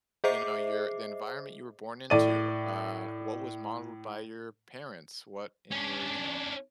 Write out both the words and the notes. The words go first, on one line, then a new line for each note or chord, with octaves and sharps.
you know, your the environment you were born into, uh, what was modeled by your parents? What in your, you know,
G#4 C5 D#5 E5 D6 C7
A2 D5 D#7
C#4 D4